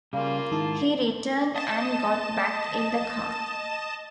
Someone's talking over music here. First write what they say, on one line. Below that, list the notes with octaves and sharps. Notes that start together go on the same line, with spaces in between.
He returned and got back in the car.
C#3 G3 A#3 F4 F5
G#2 D#3 D#4 E4 A5
D#5 A5 E7